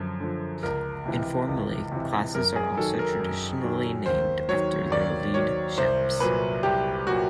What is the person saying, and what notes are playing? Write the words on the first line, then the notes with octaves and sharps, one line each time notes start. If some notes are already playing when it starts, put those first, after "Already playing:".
Informally, classes are also traditionally named after their lead ships.
Already playing: F#2 D3 F3
D3 F3
C#2 A#4
C3 E3
C#2
C3 E3
F#2 A#4
G#4
D#3 F#3 A4
A#4
F#2
D#3 F#3
D#2 C5
D#3 F#3 C#5
D#2 D5
D#3 F#3 C#5
C2 C5
A#2 F#3 B4
C2 G4
A#2 F#3 F#4